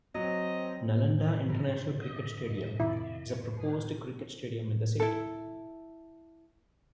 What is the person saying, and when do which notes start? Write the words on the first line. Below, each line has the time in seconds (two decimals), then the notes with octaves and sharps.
Nalanda International Cricket Stadium is a proposed cricket stadium in the city.
0.15 F#3 C4 D#5
1.19 A2 D#3
1.49 G#2 D3 F3
2.80 F2 C3 D#3 E4
5.00 E4 A4